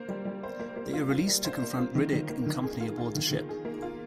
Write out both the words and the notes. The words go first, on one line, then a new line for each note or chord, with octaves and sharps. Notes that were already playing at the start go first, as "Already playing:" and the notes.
They are released to confront Riddick and company aboard the ship.
Already playing: A#3 C5
G3
G3
C5
A#3
A#3
F4
F4
G3
C5
A#3
F4
D#3
D#3
A#3
D#3
G#4
F4
F4
D#3
D#3
G#4
A#3
F4